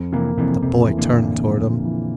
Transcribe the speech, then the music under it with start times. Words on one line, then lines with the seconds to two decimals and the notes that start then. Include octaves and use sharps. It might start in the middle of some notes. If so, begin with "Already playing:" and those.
The boy turned towards him.
Already playing: F2
0.12 C3 E3 A#3
0.37 F2 C3 E3
0.62 F2 C3
0.86 E3
0.99 A#2 D3
1.11 F2
1.36 F2
1.61 F2
1.85 E3